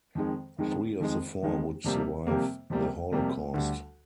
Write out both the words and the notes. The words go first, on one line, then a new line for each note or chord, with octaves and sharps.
Three of the four would survive the Holocaust.
F2 D#3 G#3
F2 D#3 G#3
F2 D#3 G#3
F2 D#3 G#3
F2 C3 G3 A#3
F2 C3 G3 A#3
F2 C3 G3 A#3
F2 C3 G3 A#3
D2 D3 G3 D4